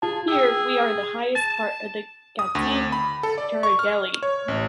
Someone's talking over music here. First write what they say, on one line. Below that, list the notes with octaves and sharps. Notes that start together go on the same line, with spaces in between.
Here, we are in the highest part of the Gâtine Tourangelle.
F4 G#4 A5
G#4 G5 E6
A5 A6
D#6
D2
B5
A4
D5
C#6
F6
C#5
A1